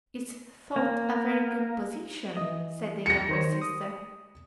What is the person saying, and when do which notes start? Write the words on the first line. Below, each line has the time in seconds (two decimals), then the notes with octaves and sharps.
"It's thought a very good position," said the younger sister.
0.76 A#3
2.37 E3 D#5
3.06 A#6 C#7
3.29 D#3 C5 C#5
3.62 D#6